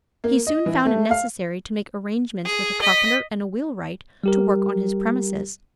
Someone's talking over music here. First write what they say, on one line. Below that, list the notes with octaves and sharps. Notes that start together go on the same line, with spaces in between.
He soon found it necessary to make arrangement with a carpenter and wheelwright to work on his premises.
A#3
D#5
E3
A3
F5
G#4
D#5 B6
G3 G4 A#4